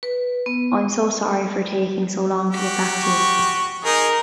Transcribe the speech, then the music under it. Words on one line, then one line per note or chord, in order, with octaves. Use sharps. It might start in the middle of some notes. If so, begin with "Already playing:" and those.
I'm so sorry for taking so long to get back to you.
B4
B3
F#4 G4
C#6
D#4 G#4 A#4